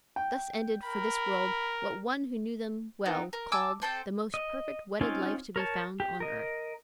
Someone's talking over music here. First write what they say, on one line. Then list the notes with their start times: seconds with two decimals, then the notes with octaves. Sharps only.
Thus ended, for this world, what one who knew them well called "the most perfect wedded life to be found on earth."
0.16 G5
0.83 A#4 B5
3.05 B3 C4 D#4 A#4
3.33 A#4
3.52 G#5 A5 D6 E6
3.82 C4 A4 C5 G5
4.34 D#5
5.01 C4 C#4 D#4 F4 G#5
5.56 A#4 C#5 A5
6.00 G4
6.20 A#4 D#5